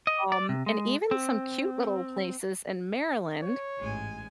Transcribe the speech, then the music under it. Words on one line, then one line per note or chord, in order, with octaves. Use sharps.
um, and even some cute little places in Maryland.
D#5
D5
C3
G#3
C4
C#5
A1 G#2 G#3 G#5